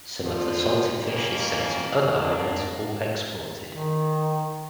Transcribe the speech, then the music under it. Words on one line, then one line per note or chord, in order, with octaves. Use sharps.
Some of the salted fish is sent to other islands or exported.
D3 F3 F4
F2 A#3 C#4
C3 F#3 A#3 D4
D#3